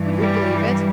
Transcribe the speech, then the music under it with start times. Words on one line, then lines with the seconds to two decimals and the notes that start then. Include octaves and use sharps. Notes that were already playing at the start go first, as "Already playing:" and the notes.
Would you believe it?
Already playing: G2 E3
0.18 G3